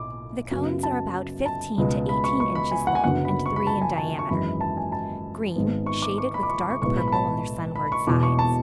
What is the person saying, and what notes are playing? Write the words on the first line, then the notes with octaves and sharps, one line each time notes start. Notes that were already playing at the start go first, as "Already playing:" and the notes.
The cones are about fifteen to eighteen inches long, and three in diameter; green, shaded with dark purple on their sunward sides.
Already playing: B1 A2 D6
F#2 C#3 F#3 B3
A5
A5
C#2 B2 G#3 B3
B5
C#6
C#6
B5
G#5
F#5
G#5
F#1 F#2 D3 F#3 B3 F#5
B5
C#6
B5
A5
G#5
A5
C#6
G#1 F#2 E3 G#3 B5
A5
G#5
A5
G#1 G#2 G#3 B3
C#6
D6
C#6
B5
D6
C#6
D6
C#6
B1 A2 G#3 B3 C#6
B5
B5
A5
B5
C#6
E1 E2 B2 D6
C#6
A5